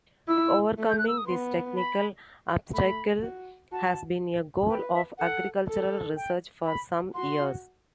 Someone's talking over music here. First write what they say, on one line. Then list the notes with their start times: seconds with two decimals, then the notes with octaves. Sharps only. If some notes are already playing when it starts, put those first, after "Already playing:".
Overcoming this technical obstacle has been a goal of agricultural research for some years.
0.28 E4 E6
0.78 A3
0.89 G6
0.98 F#6
1.08 E6
1.18 D#6
1.26 B3 C6
1.76 B5
2.73 A3 B5
3.22 F#4
3.72 F#4 A5
4.69 B4 G5
4.93 E5
5.18 A4 F#5
5.67 A4
6.16 G5
6.65 B5
7.14 F#4 C6